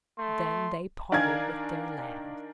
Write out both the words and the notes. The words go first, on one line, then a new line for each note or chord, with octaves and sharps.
Then they parted with their land.
A3 C6
D#3 D4 A#4 F5 G#5 G#6